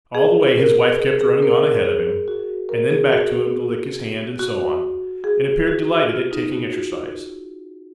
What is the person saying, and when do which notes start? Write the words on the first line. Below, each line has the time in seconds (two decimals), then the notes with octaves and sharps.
All the way his wife kept running on ahead of him, and then back to him to lick his hand and so on, and appeared delighted at taking exercise.
0.15 G#4
0.58 A#4
0.99 G#4
1.21 G#4
1.42 A#4
1.63 A#4
1.85 G#4
2.28 F#4
2.69 A#4
2.91 G#4
3.13 F#4
4.39 F#4
5.24 G#4
5.68 F#4
6.09 F4
6.31 D#4
6.52 F#4
6.74 F4